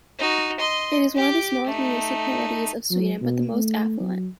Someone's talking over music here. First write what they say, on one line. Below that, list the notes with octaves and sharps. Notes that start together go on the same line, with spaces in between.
It is one of the smallest municipalities of Sweden, but the most affluent.
D#4 F#4
D#5 C6
G4 D6
A3 D#4
F#3
B2
A3
F#3